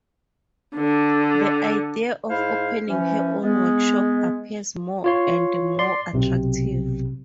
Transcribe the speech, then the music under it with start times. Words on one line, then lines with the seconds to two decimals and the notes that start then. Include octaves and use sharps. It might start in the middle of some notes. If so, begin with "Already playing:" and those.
The idea of opening her own workshop appears more and more attractive.
0.76 D3
2.30 G#2 E4 C5 F5
2.87 E3 F3 C#4
3.42 G#3 B3
5.04 F4 C#5 C6
5.79 D5 C6
6.13 B1 C3